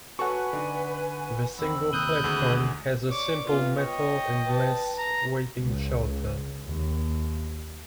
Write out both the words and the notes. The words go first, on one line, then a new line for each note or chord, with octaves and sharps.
The single platform has a simple metal and glass waiting shelter.
F#4 A4 B4 C#5 F#5 G#5 C#6
D3 D4 D#4
E2 C4 B5 E6
D#2 C3 D#6 F#6 G6
D2 G#4
C#5 D5 D6
B3 F4
C#5 D#5 G5
B4 A5
A#5
C#2
D#2